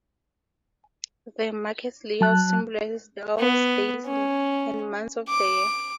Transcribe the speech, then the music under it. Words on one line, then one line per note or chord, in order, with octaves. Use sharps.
The market's layout symbolizes the hours, days, and months of the year.
F#3 A5 F#6
B3
C#4
D6